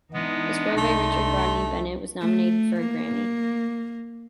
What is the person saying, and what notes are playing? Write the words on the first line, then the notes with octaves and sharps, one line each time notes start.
The score by Richard Rodney Bennett was nominated for a Grammy.
E3 G#3 B3 D4 D#4
C2 A3 C6
A3
A#3